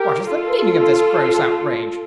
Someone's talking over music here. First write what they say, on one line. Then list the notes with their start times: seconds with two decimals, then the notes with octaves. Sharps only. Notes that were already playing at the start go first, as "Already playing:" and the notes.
'What is the meaning of this gross outrage?
Already playing: G4 A#4
0.26 F4 A4